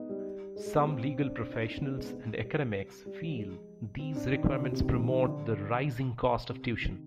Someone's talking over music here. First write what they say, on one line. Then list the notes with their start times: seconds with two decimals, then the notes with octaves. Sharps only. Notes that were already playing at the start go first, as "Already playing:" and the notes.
Some legal professionals and academics feel these requirements promote the rising cost of tuition.
Already playing: G#3 B3 D#4
0.09 G3
0.56 G#3
0.66 G#3
0.77 B3
0.87 C4
1.03 C4
1.18 D4
1.50 D#4
1.61 D4
1.71 C4
1.81 B3
1.97 G#3
2.04 B3
2.12 G#3
2.44 G3
3.06 G3
3.22 F3
3.37 G#3
3.99 C4
4.16 D4
4.31 D#3
4.47 D3
4.62 B2
4.72 C3
4.83 D#3
4.94 F3
5.09 D#3
5.25 D3
6.50 C3
6.65 C3
6.81 D#3